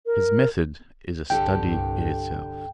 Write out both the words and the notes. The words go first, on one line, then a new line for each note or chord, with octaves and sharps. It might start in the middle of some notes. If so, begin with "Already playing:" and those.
His method is a study in itself.
A#4
C2 G2 D3 G4 A4 G5